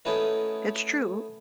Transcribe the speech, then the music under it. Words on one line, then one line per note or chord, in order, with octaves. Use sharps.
It's true.
A3 B3 C#4 D#4 E4 B4